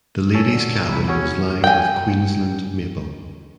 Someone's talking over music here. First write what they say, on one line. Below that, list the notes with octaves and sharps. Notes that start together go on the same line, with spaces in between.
The ladies cabin was lined with Queensland maple.
C#5 G#5 A5 E6
D3
C2 E4
C#4 F#4 G#4 C#5
G5 G#5